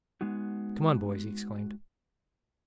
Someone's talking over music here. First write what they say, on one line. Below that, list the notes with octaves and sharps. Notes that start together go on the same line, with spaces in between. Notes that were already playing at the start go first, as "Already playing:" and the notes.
"Come on, boys!" he exclaimed.
G#3 B3 D#4 F#4